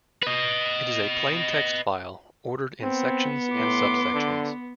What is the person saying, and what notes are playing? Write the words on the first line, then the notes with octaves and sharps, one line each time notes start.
It is a plain text file ordered into sections and subsections.
B4 D#5
B3 C4
A2 C6 D6
D3